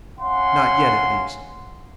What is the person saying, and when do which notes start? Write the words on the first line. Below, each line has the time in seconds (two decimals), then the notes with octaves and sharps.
Not yet, at least.
0.19 C#4 F5 F#5 C6